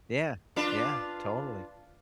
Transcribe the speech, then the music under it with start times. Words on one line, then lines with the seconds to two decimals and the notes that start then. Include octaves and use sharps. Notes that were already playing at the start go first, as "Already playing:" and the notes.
Yeah, yeah, totally.
0.56 D4 F4 B4